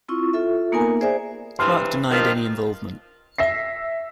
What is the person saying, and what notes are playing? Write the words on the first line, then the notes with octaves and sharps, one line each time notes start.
Clark denied any involvement.
C4 E4 F4 C#6
F4 A4 E5
A#3 B3 D#4 A#4 G#5 A#5
G#4 C5 D5 E5 G#5
G2 C3 E3 C6 F6
G2 D#3 F3
E5 A#6 C7